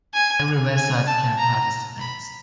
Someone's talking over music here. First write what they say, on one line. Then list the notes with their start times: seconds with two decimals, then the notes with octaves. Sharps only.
Every website can participate.
0.14 G#5
0.76 G#5
1.07 A5
1.38 A#5
2.00 B5